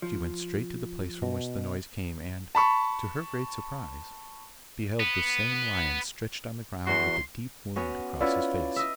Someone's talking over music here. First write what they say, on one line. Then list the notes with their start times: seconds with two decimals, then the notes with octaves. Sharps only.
She went straight to the place from which the noise came, and, to her great surprise, beheld the same lion stretched on the ground with a deep wound across his face.
0.02 F3
1.22 B2
2.55 A5 B5 C#6
5.00 B3
6.87 E2 F#4 C6
7.76 B3 C#4 F#4
8.20 C#4 E4 F4 B4 D5 F#5
8.76 D#5 E5